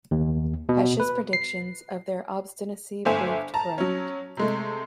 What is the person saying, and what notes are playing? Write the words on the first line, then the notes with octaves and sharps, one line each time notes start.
Hesh's predictions of their obstinacy proved correct.
D#2
B2
B4
C7
G1 A3 C5 E5 G#5 E7
A5 A#5
F#3 C#4
C3 G#3 A3